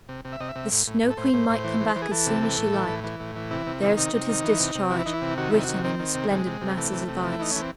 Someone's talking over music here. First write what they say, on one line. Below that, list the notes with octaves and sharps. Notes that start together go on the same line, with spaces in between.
The Snow Queen might come back as soon as she liked; there stood his discharge written in resplendent masses of ice.
C3
C3
E5
C3 D#5
E5
C3
A2
A2
A2
A4
A2 C5
A2
A2
E3
E3
E3
G#4
E3 A4
C3
E3
A2
E3
A2
E3
A2
E3
C3 E4
C3
D#3
C3 D#4
C3
D#3
E3
C3
C3
E3 F#4
E4
E3 D#4
E4
C3
D#3 F#4
C3 E4
D#3 F#4
D#3 C4
D#3
C3
C3 G#3
C3
C3
E3 A3
C3
C3
E3
E4
E3 D#4
E3 C#4
C4